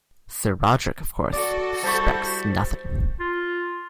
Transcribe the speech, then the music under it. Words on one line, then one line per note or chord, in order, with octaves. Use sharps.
Sir Roderick, of course, suspects nothing.
F#4 A4 D5
G3 E4 C5 A5 C#6
F4